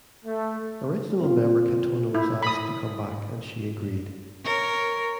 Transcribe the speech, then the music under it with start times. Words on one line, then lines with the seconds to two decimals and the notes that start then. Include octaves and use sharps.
Original member Katona was asked to come back, and she agreed.
0.25 A3
1.20 C4 F4
2.14 E4
2.43 B5 D#6
4.44 A#4 C#5